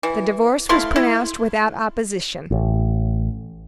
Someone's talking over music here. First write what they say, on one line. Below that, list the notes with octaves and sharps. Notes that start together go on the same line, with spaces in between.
The divorce was pronounced without opposition.
E3
A3 E4 F5 C6
E4
A1